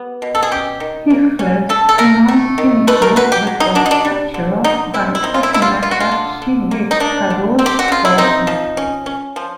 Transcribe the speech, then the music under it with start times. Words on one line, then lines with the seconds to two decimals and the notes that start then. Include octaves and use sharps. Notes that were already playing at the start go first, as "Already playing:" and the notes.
He fled to Mount Ibuki, but was captured by Takenaka Shigekado's forces.
Already playing: G3 B3
0.22 B2
0.35 A4
0.43 G#4
0.51 C#4 G4
0.80 D#3
1.10 A#3
1.39 C#4
1.69 A3 A4
1.89 A4
1.98 A3 A#4
2.28 A3
2.58 D#3
2.87 A3 B4
3.02 A#4
3.16 F#3 B4
3.32 G4
3.47 F#3
3.60 D#4
3.75 F#3 D4
3.86 D#4
3.91 D4
4.05 G3
4.34 D3
4.64 D3 D#4
4.94 C4 E4
5.15 E4
5.23 C4 D#4
5.34 F4
5.43 E4
5.53 D3 E4
5.62 F4
5.82 G3 F4
5.91 F#4
6.00 F4
6.12 D3
6.42 D3
6.71 A#3
6.91 D#4
7.00 A#3 D4
7.30 D3
7.59 C4
7.66 G4
7.79 F#4
7.88 C#3 F4
8.05 E4
8.18 C4 D#4
8.47 F3
8.77 C#4
9.06 C#4
9.36 F3